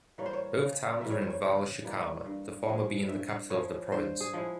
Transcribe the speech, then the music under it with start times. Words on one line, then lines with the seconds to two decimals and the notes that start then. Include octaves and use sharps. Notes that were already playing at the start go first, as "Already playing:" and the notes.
Both towns are in Valle Chicama, the former being the capital of the province.
0.18 E3 G3 A#3 C#5
0.26 C5
0.33 C#5
0.60 C#3
1.01 E3 G3 A#3 E5
1.11 C#5
1.21 C5
1.30 C#5
1.43 C#3
1.85 E3 G3 A#3
2.26 G2
2.68 F3 G#3 E4
3.09 G2 E5
3.50 F3 G#3 E4 C#5
3.92 G2 C5
4.21 G#4
4.33 F3 G#3 E4